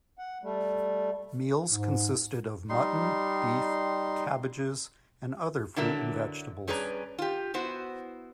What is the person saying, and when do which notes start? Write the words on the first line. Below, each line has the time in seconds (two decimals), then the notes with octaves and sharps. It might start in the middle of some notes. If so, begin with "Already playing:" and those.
Meals consisted of mutton, beef, cabbages, and other fruit and vegetables.
0.18 F#5
0.43 G3 A3
1.70 G#2
2.69 G3 D#4 C6
5.76 D3 F#3 E4 A#4 D5 E5
6.68 G2 C#4 G#4 B4 D5 A#5
7.19 F4 G4
7.54 B3 E4 F#4 C5